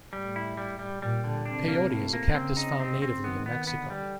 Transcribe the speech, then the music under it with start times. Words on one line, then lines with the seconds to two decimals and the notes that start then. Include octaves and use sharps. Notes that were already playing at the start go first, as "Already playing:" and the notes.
Peyote is a cactus found natively in Mexico.
0.13 A2 G3
0.36 E4
0.57 G3
0.79 G3
1.02 A#2 G3
1.24 D3
1.46 C3 D4
1.68 A#3
1.90 A2
2.13 A#3
2.34 C#3 C4
2.57 D#4
2.80 C4
3.02 C4
3.23 D#3 B3
3.46 B3
3.67 D3 B3
3.90 G3